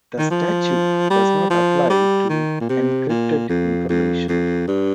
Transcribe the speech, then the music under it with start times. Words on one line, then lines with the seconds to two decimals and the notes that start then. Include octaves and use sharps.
The statute does not apply to "encrypted" information.
0.19 D#3
0.31 F3
1.10 G3
1.50 F3
1.90 G3
2.29 D#3
2.60 A#2
2.69 C3
3.09 A#2
3.49 F2
3.89 F2
4.29 F2
4.68 G2